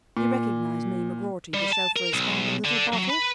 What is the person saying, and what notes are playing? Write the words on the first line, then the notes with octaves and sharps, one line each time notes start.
"You recognize me, McGroarty, the chauffeur as found the little bottle?"
A#2
G3
A5
A#4
B1
D3
F#3
B4